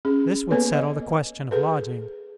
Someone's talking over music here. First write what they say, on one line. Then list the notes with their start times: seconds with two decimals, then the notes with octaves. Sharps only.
This would settle the question of lodging.
0.05 C#4 G#4
0.51 A#3 B3 A4 B4 C#5
0.74 D#5
1.51 G#4 A4 B4